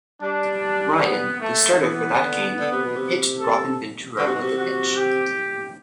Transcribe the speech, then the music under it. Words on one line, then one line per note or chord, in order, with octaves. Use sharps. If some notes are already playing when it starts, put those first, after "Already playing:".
Ryan, the starter for that game, hit Robin Ventura with a pitch.
G3 D4
B3
A3
E3 B3
C3
D3
D3
C3
B2
C3
A4
D3 F#4
C3
B2
C3
F#4
G4